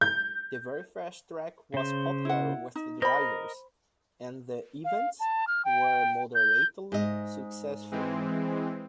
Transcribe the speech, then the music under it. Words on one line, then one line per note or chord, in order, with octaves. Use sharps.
The very fast track was popular with drivers, and the events were moderately successful.
G6
C#3 C5
E4 F#5
D#4
A#4 C5 D#5 B5
F5
A5
F6
G5
G6
G#2 D#5
E3 G#3 C4